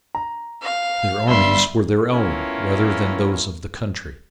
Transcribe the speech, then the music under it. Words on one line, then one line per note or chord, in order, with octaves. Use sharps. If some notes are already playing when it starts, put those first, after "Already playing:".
Their armies were their own rather than those of the country.
A#5
F5
G1 G3 E5 C6 G7
A3 B3 C#4 E4 F4 A#4